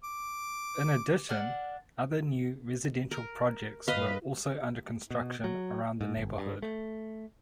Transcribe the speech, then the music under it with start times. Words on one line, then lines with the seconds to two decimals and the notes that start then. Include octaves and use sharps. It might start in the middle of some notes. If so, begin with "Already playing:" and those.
In addition, other new residential projects were also under construction around the neighborhood.
0.04 D6
1.29 D4 F#5 F6
3.11 A#4
3.88 G2 B4 D#5 F5
5.11 B2
5.44 F#3
6.01 G#2
6.17 G1
6.38 G2
6.62 A3